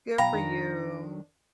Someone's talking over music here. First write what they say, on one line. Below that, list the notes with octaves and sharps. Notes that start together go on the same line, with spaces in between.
Good for you.
B2 F#3 F5 G5 A#5 B5
F2 D#3 D4